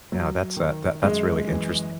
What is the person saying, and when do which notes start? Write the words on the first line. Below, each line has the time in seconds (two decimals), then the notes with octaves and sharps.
yeah, that's uh, that that's really interesting.
0.12 F#3
0.57 D#3
1.02 F#2 G#3
1.47 E3